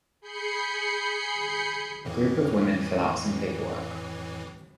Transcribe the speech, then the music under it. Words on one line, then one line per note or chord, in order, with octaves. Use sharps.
A group of women fill out some paperwork.
G#4 B5 G6 C7 C#7
F2 A2 E3